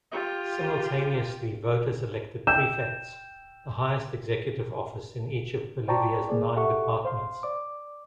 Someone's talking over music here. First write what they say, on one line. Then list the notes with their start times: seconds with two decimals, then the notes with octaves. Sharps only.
Simultaneously voters elected prefects, the highest executive office in each of Bolivia's nine departments.
0.12 F4 G4
2.47 G5 E6 G6 E7
5.88 C5 D5 G5 A5 A#5 C#6
6.29 A#3 G#4 D5
6.56 G4 A4 E5 F#5 C#6
7.05 C5 F5 C6
7.43 D5 D6